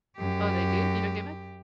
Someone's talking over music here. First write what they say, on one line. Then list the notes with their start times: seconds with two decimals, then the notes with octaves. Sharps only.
Oh, they do? You don't get mad?
0.18 F#2 G4